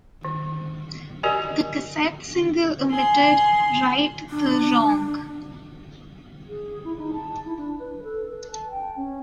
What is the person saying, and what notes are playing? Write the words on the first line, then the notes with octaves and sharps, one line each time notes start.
The cassette single omitted "Right the Wrong".
D#3
F#4 G4 A#4 D5 D#5 G#5
G#4 C6
D4
G#4
E4
D#4
A5
E4
D4
B4
A4
B4
A5
G5
C#4